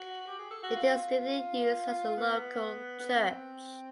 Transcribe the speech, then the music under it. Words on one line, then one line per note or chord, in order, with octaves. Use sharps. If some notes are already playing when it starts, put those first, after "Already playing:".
It is still in use as the local church.
Already playing: F#4
G4
G#4
A4
F#4
F4
B3
B3
C4